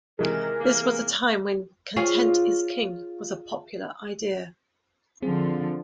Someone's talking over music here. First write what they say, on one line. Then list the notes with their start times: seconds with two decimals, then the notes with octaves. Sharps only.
This was a time when "content is king" was a popular idea.
0.19 C3 D#3 E3 G#3 A#4
0.59 A#3
1.96 F4 G#4 C#5
5.22 D3 F3 C4 G#4